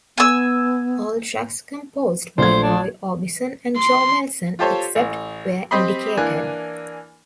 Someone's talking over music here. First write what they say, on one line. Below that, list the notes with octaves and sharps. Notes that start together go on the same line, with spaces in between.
All tracks composed by Roy Orbison and Joe Melson, except where indicated.
B3 G#5 E6
A#1 A3 C5 G#6
D4
C6
F4 G4 A4 C5 C#5
A1
C4 G4 D#5 B5 C6
E3 A#3 D4 G#5 F#6